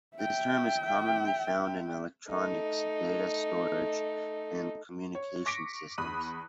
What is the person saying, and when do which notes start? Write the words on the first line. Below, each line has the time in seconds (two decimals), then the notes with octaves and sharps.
This term is commonly found in electronics, data storage, and communications systems.
0.17 E5 G5
2.29 A3 D#4
5.15 C#5
5.46 C#6 D6 A#6 B6 C#7 D7
5.98 E2 B5 D#6 F#6 D#7